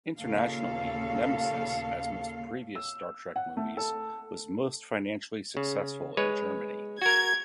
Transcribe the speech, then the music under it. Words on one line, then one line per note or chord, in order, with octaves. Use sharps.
Internationally "Nemesis", as most previous "Star Trek" movies, was most financially successful in Germany.
D#2 A#2 C#3 A#3 A4 F5
E6
F#5
A3
A4
C#3
G#3 B4 C#5
F#4 A#4 G#6